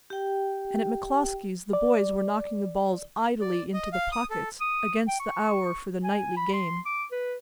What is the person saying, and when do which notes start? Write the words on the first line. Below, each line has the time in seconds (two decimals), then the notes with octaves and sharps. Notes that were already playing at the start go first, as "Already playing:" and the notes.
And at McCloskey's the boys were knocking the balls idly into the pockets against the hour for the nightly game.
0.10 G4 G5
1.73 D5
3.41 D5
3.73 D#5
3.93 F5
4.12 D#6
4.30 A4
4.61 D#6
5.08 G5
5.20 C#6
6.04 G#5
6.37 B5
6.53 C6
6.86 D6
7.12 B4